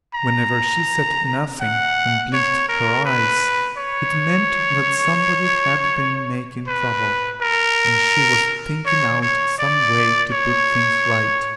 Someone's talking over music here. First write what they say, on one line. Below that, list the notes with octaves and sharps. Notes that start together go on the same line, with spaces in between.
Whenever she said nothing and blinked her eyes, it meant that somebody had been making trouble, and she was thinking out some way to put things right.
A#5
F#5
C#5
A#4
B4
C#5
B4
A#4
C#5
C#5
D5
C#5